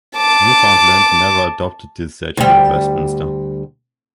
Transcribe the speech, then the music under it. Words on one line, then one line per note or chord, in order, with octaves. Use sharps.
Newfoundland never adopted the Statute of Westminster.
A5 D6
D2 G3